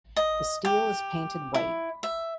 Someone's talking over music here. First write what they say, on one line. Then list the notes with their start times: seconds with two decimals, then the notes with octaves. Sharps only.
The steel is painted white.
0.16 D#5
0.65 G4
1.54 E4
2.03 E5